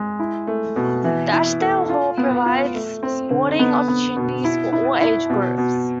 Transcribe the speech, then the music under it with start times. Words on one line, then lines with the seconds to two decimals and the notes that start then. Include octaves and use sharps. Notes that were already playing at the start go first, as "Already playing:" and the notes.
The Ashdale Hall provides sporting opportunities for all age groups.
Already playing: G#3
0.19 E4
0.47 A3
0.76 B2
1.04 E3
1.32 E4
1.61 A4
1.89 F4
2.18 B3
2.46 F4
2.74 A3
3.03 C4
3.31 D3
3.59 B3
3.88 B3
4.16 B2
4.44 E4
4.73 E4
5.01 E4
5.30 B2
5.58 B2